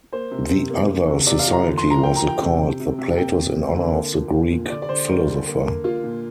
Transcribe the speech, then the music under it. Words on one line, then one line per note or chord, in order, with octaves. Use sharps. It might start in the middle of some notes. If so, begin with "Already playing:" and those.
The other society was the called the Platos in honor of the Greek philosopher.
A#3 C5
C3
C3
A#3
A#3
C3
C3 D5
F5
F3
A#5
D3
C6
F3
A#5
A#3 G5
A#5
F3
G5
C3
C3
C3
C3
A#3 G5
A#3
A#3
D3
A#3
F3
A#2
A#2
D3 D5
D5
D3 C5
G3 A#4
D3
A#3
A#3
A#3 F4
A#2